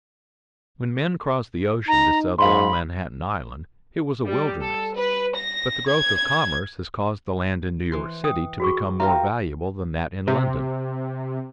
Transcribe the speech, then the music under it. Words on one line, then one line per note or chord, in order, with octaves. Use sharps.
When men crossed the ocean to settle on Manhattan Island, it was a wilderness; but the growth of commerce has caused the land in New York city to become more valuable than that in London.
D#4 A#5
G#2 F5 B5 C6
G3
A4
B4
A#6
G#6
E3 C6
G5 D#6
F#4 G#4 C#6
F4 G4 A#4 E5 A#5
C3